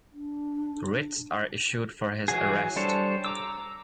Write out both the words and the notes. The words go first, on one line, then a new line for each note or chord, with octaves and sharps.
Writs are issued for his arrest.
D4
E3 F#3 F#4 G#4
G3 D4 A4 C5 C#5
A#5 D6 E6